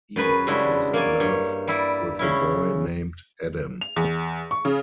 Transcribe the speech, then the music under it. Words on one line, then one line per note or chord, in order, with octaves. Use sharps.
Eve was in love with a boy named Adam.
F#2 G#4 B4 G#5
C#3 G3 G#3 D4 E4 F#4
A#3 C#5 D5 G#5
G2 C#5
G3 E4 D5
C#3 C#4 E4
F7
E2
C#6
C#3